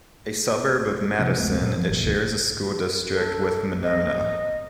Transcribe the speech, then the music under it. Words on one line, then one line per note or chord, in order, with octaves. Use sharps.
A suburb of Madison, it shares a school district with Monona.
C3 F3 C#4
D1 G#3 A3 B3
A#2
F3
G1 A#2
D1 G1 C2 D3
A4
D#5